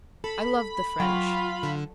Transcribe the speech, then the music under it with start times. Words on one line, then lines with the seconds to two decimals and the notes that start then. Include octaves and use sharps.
I loved the French.
0.24 A4 B5
1.00 F#3 F4 G5
1.63 D3